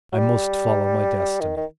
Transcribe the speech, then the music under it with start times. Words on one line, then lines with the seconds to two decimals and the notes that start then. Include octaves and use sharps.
I must follow my destiny.
0.13 F#3
0.18 G3
1.41 D#3
1.57 D#3